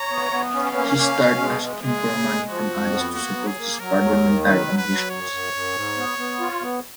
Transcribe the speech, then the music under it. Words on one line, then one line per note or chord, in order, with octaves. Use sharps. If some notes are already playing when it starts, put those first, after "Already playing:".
He starts asking for money from Alice to support his parliamentary ambitions.
Already playing: C#5 A#5
B3
B3
C#4 F5
A#3
C#4
B2
G#3
G#3
G#3 G#4
C#3
G#3
F3 F#4
F2
B3
A#3 F#4
F#3
G#4
A#3
F#3 A#4
D#2
D#3
F#3 B4
F#3
B4
F#3
F#2 C#5
F#2
F#2
G#2
B3
B3
F4
B3